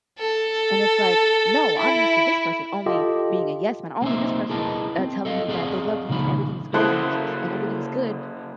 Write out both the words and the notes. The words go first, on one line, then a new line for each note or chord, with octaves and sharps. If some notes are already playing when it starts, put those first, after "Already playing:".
and it's like, "No, I'm used to this person only being a yes man, only; this person, uh, telling me that they love me and everything's great and a and everything's good."
A4
E4
F4 G4 A4 D#5
A#3 C4 C#4 D#4 C5 E5
E4 G#4 A#4 B4 D#5 A5
C4
A4 D#5 F5
C4 G#4 D5 D#5 F5 F#5
C#2 A#2 D#3 F3 B5
C#3 A#3 E4 A4 C5 F#5 C6 D#6